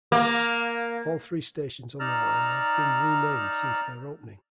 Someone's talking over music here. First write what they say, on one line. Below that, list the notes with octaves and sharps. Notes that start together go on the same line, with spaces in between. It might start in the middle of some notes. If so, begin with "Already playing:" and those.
All three stations on the line have been renamed since their opening.
A#3
D#4 D5 A#5 E6 F6